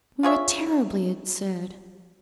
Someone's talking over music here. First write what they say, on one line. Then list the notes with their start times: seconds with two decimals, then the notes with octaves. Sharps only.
We were terribly absurd.
0.23 F4 G#4 C#5 E5